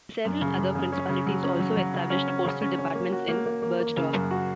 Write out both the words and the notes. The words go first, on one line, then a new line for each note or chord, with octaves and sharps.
Several other principalities also established postal departments in Bergedorf.
F#2
C#3
F#2
C#3
C#4
C#3
F#3
C#4
F#3
F#3
C#3
C#4
C#4
C#3
C#4
C#4
A#3
F#4
A#3
A#3
A#3
A#3
C#3
F#2
F#4